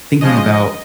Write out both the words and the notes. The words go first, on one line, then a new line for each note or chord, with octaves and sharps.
thinking about
C#3 F3 G#3 D#5